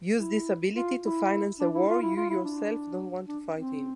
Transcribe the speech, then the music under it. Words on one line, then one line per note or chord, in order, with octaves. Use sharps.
Use this ability to finance a war you yourself don't want to fight in.
E4
F4
E4
D4
E4
F4
E4
F4
E4
D4
D4
C4